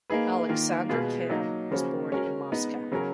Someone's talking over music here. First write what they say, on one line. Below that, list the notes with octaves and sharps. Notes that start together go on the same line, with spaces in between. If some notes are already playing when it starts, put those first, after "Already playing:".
Aleksander Kan was born in Moscow.
A#3 D#4 G#4 B4
D#3 A#3 F4
B2 G#3 B3 F4 G#4
F#3 A#3 D#4
C#3 F3 A#3 C#4 F#4
G#3 C#4 F#4 A#4
G#3 B3 D#4
C#3 F#3 C#4 F#4 A#4